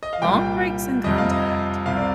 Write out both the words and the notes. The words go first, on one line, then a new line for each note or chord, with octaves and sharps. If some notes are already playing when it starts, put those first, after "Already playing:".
long breaks in contact?
D#5
F5
C2 A#2 G3 G5
F2 C3 G3 D#5
F5
D#5
C2 C3 G3 F5
D5